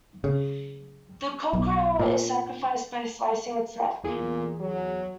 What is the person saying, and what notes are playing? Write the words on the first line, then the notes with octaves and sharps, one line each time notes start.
The cockerel is sacrificed by slicing its neck.
C#3
B1
A#2
E2 A#2 G#4
F#3